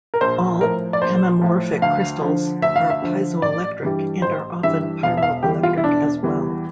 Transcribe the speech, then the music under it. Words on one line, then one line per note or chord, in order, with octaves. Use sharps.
All hemimorphic crystals are piezoelectric, and are often pyroelectric as well.
A#4
A#1 C5
A2 F3 A#4
D5
A#1 C5
A2 F3
D2 F5
D3 F3
D2 E5
F5
E5
D3 F3
A1 D5
G2 E3 G3
A1 C5
G2 E3 G3 E5
E1 F5
E5
F5
E2 E3 G3 G4
F4
E4
E1 D4
E2 E3 G3